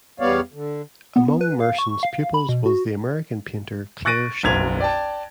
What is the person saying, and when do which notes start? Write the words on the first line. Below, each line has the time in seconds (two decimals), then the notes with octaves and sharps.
Among Merson's pupils was the American painter Claire Shuttleworth.
0.20 E2 G3 B3 C#5 D5 F5
0.53 D3
1.16 B3
1.41 B4
1.60 F5
1.79 C#6
2.03 F5
2.34 B5
2.49 B2
2.66 F#4
4.05 C#6 F#6 A6 A#6 D7 D#7
4.43 F#1 B1 G#6 F7
4.80 D5 G5 A5